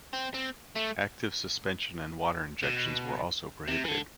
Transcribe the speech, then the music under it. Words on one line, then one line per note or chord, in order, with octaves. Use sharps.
Active suspension and water injections were also prohibited.
C4
C4
A3
B2
C3
E3
D3